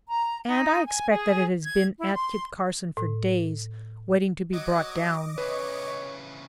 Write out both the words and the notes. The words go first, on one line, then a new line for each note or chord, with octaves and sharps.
And I expect that it has been at Kit Carson for days, waiting to be brought down.
A#5
D#4
G#5
G#4
G#6
E4
C6
A2
F#3 D#5 D6
C#3 E3 B4 C#5